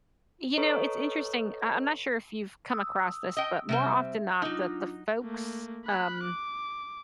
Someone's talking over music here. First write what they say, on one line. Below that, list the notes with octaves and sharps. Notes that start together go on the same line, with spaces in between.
you know, it's interesting, I I'm not sure if you've come across this, but more often not, the the folks, um,
A4 B4 C#5 D#5 A#5 C#6
D#6 E6
D#5 G5
C3 G3 C4 E5
F#3 D4 D#4 F4
A3 A#3
B5 F#6
D6